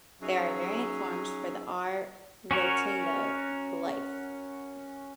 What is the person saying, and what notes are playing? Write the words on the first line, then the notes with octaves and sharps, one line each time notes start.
There are variant forms for the "r rotunda" glyph.
F#3 C#4 D#4 G#4 E5
C#4 F#4 A#4 C#5